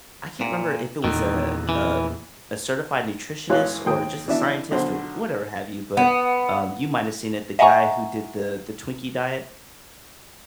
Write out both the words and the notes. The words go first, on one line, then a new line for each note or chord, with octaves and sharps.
I can't remember if it was a, um, a certified nutritionist or just a scientist or whatever have you, but, um, you might have seen it, the guy who did the the Twinkie diet,
A#2
E2 A#2 D#3
E3
A1 E3 G#3 C#5 F5 F#6
D#2 G5 D#6
E3 D4 E5
B1 D3 C5
B3
D#5 E5 F#5 G#5 A#5 C#6